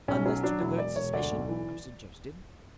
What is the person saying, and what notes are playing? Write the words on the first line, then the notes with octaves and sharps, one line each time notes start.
"Unless to divert suspicion," I suggested.
B1 C#4
F#3 C#4
F#3 D4
E1 E4
E1 D5
E1 C#5
D2 D5
B1
E3